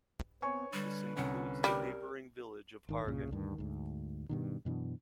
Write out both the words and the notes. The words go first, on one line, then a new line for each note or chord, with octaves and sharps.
This includes the neighbouring village of Hargen.
B3 C4 C#5 G#5 C#6
D3 G3 B4
C2 C#4 F#5
G3 A#4
G#1 D#3
C2 G2 A#2 C#3
D2 G2 D#3
D2 G#2
G2 B2 D#3
F#2 B2 E3 D4